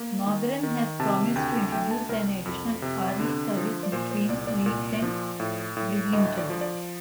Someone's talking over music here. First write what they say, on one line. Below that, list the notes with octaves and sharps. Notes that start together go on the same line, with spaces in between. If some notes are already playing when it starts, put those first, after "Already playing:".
Northern has promised to introduce an additional hourly service between Leeds and Bridlington.
Already playing: A#3
D#3
D#3
C3 A5
D2 G5
A3 G5
A5
C2 A#4
F2
C3
D3
F3
D5
A#2 C5
C5
C2 D5
D5
A#2
F3
A2
A2
D2 D#5
D5
F3
D5